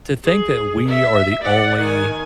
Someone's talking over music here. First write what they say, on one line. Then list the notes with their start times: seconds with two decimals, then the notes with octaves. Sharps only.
to think that we are the only
0.24 G#4
0.88 E5
1.42 D5 F#5
1.80 D#3 G#5